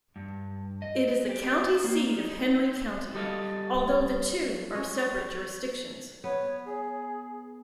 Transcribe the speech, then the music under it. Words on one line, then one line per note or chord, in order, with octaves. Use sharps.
It is the county seat of Henry County, although the two are separate jurisdictions.
G2
D#5
G4
A#3
D#4
G3 A4 D#5 F5
C#4
B3 C#5
G#4